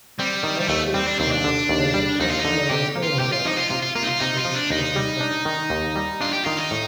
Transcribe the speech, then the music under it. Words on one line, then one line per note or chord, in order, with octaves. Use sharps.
As ships pass, there is a customary horn-blowing sequence that is copied back.
G3 C4
D#3
G3
D#2 A3
G3 C4
D4
D#2 C4
D4
D3
D#2
G3
D#2 D#4
F4
D#4
D3
C3 G4
A#3
F4
C3 G4
F4
F3 D#4
F4
C3 F4
F4
A#3 F4
D#4
F4
C3 D#4
F4
F3
D4
D#2 D#4
G3
D4
D#3
D#2
G3
D4 F4
G4
D#3 F4
D#4
A2